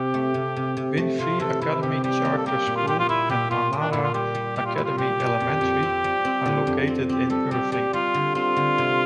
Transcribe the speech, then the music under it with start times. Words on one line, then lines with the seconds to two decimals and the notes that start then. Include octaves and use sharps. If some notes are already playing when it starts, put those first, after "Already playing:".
Winfree Academy Charter School and Manara Academy Elementary are located in Irving.
Already playing: C3 G4
0.14 A3
0.34 C3
0.56 C3
0.77 C3
0.97 A3
1.19 C3 F4
1.40 E3 A4
1.61 C3 E4
1.82 C3 G4
2.03 G3 G4
2.25 A#3
2.37 A4
2.46 A#3 G4
2.67 A#2
2.76 F4
2.87 A#2 G4
2.99 F4
3.09 A#2 E4
3.30 A#2 G4
3.51 A#2 F4
3.73 A#3
3.80 D4
3.91 A#2 E4
4.03 F4
4.14 G3 G4
4.35 G3
4.56 A#2 G4
4.66 F4
4.75 A#2 E4
4.84 F4
4.98 A#2 G4
5.20 G3
5.40 F2
5.61 F2
5.83 C4
6.04 G3
6.25 C4
6.46 D3
6.67 F2
6.87 C4
7.09 C4 G4
7.30 G3 A4
7.51 G3 G4
7.72 G3 G4
7.93 G3 F4
8.14 D3
8.35 C4 F4
8.56 D3
8.78 C3